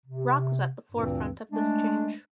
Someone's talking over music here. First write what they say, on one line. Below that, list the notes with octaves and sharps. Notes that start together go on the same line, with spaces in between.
Rock was at the forefront of this change.
C3
D2 G2 A#2 C#3 E3 C4
G#3 A3 D4